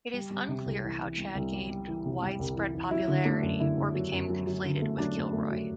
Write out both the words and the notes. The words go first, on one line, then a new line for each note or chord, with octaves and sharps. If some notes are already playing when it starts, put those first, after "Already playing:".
It is unclear how Chad gained widespread popularity or became conflated with Kilroy.
G3
G3
C3
C2
E3
E3
G3
C2
G3
G3
E3
C3
G3
C2
E3
E3
F#3 E4
D3
A3 D4
F#2
D3 E4
D3
F#3
F#2
F#3
F#3
D3
A3
F#3 D4
A3
A3
F#3